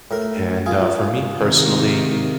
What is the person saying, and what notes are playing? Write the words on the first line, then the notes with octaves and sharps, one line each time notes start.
and, uh, for me personally,
A2 A#4
F4 G#4
C3 D#3